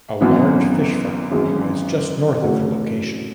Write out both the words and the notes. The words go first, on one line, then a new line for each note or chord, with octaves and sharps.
A large fish farm lies just north of the location.
G#1 F#2 E3 B3
G#1 F#2 E3 G#3
C#3 E3 A3 C#4 F#4